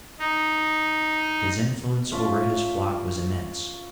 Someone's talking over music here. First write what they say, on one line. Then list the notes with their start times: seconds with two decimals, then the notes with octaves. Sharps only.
His influence over his flock was immense.
0.19 D#4
2.12 C#4 F4 E5 A5